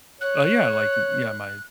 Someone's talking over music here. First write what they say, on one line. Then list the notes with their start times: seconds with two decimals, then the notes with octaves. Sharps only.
Uh, yeah, like, yeah, my,
0.21 C#5 F#6